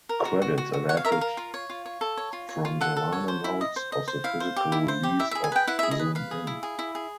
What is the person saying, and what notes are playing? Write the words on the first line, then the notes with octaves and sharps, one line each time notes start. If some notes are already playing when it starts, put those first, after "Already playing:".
Credits adapted from the liner notes of the physical release of "Zoom In".
A#4
F#4
F#4
F#4
F#4
C#5 F#5
F5
A#4 E5
F5
A#4
F4
C#5
F4
C#5
A4
C#5
F4
C#5
F4
A4 F#5
A4
C#5
C5
E4
D#5
C5
D#5
C5
E4 F5
C5
G4
E4
C5
G4
E4 E5
G#4 E5
G#5
B4 G5
E4 F#5
G#4 E5
D#5
B4
B4 F5
G#4
E4
G#4
E4
G#4